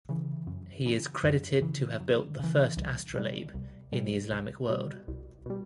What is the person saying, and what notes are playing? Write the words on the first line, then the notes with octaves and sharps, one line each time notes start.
He is credited to have built the first astrolabe in the Islamic world.
C#3 E3
F#2
C#3 E3
F#2
C#3 E3
F#2
C#3 E3
C2
B2 G3
C2
B2 G3
C2
B2 G3
C2
B2 G3